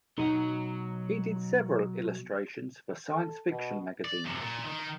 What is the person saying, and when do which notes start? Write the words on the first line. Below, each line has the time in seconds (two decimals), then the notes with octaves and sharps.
He did several illustrations for science fiction magazines.
0.18 B2 F#3 D#4 F#4 D#5 F#5
3.10 A4
3.50 B2
4.04 D5
4.24 F#2 C3
4.41 A#2
4.64 D#3